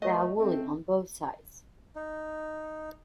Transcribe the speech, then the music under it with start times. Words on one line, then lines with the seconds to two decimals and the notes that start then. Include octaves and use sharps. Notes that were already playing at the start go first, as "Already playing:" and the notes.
They are wooly on both sides.
0.02 G2 A#2 A3 D#5
0.39 A3 C4
1.96 D#4